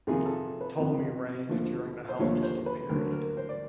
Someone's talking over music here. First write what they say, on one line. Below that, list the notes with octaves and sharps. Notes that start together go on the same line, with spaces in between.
Ptolemy reigned during the Hellenistic period.
F2 C3 D#3 G#4
A4
B4
F2 C3 D#3
D#2 D3 F3 A3
C5
D#2 D3 F3 A3 C#5
C5
B4
D2 D3 F#3 A#4
A#4
C5
D5